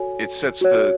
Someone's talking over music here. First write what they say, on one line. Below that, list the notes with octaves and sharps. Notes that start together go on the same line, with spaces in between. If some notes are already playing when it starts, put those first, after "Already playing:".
it sets the
Already playing: F#4 A4 C#5 G#5
F#4 C#5